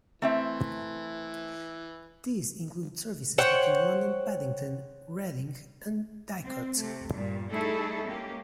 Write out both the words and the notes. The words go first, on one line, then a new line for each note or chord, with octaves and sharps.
These include services between London Paddington, Reading and Didcot.
E3 A3 C4 E5
C5 C#5 F#5 G5
C4
C3 A3
G2 A#2 G3
G3 A3 D#4 E4 G#4 A4
G#3 A#3 C#4 G4